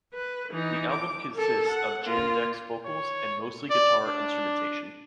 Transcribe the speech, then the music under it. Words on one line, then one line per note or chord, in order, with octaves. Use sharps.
The album consists of Jandek's vocals and mostly guitar instrumentation.
B4
E3 D#4
D6
A4 A#4
F#5
A#3 F4
C#5
D5
D4